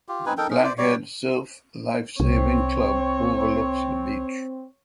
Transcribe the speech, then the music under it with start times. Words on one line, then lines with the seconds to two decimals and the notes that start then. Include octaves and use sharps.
The Black Head Surf Lifesaving Club overlooks the beach.
0.09 F4 G4
0.26 C4 D#4 B4 G#5
0.38 D#4 A4 A#4 G5
0.50 C#4 D#4 A#4
0.64 C5 D5
0.78 G3 C#5 D5
2.20 C2 C4 C#5